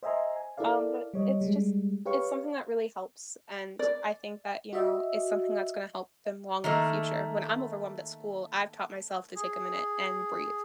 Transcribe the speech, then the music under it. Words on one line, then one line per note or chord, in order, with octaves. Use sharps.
Um, but, it's just it's something that really helps, and I think that, you know, it's something that's gonna help them long in the future, when I'm overwhelmed at school, I've taught myself to take a minute and breathe.
C5 D#5 E5 G#5 A#5 C6
G#5
E4 A4 A#4 D5 F5
G3 C#5 D#5
G3 G#3
G4 B4 C#5 F5 C#6
D5
F#4 D#5 E5
D#3 A3 A#3
G#4